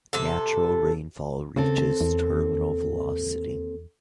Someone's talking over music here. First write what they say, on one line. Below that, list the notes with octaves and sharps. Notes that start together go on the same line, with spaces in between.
Natural rainfall reaches terminal velocity.
C3 A4
D#2 C#3 C4 A4
E2